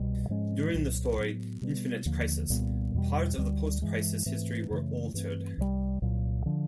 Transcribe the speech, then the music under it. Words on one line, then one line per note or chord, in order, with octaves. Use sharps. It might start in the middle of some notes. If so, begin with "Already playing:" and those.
During the story "Infinite Crisis", parts of the Post-Crisis history were altered.
Already playing: C2 B2 G3
G#2 F3 G#3 C#4
C2 A#2 F#3
A2 F#3 B3
B2 G3 B3
D#2 D3 F3 A#3
C2 A#2 G3 B3
E2 B2 G3
D2 D3 G3
G2 E3 G#3
G#2 E3 A3 C4
F#2 C#3 E3 A3
G2 E3 A3 C4
C2 C3 D#3 G3
C2 A#2 F#3
D3 F3